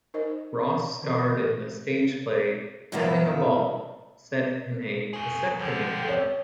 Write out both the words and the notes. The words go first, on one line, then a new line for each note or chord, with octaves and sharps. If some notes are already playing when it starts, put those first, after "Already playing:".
Ross starred in the stage play "Having a Ball" set in a vasectomy clinic.
D#4 A#4 C5 D#5
D3 E3 C4
G4
G2 B2 E3 F3 A#3 E4
F#4 G#4
B1 D3 F3 G4
C#5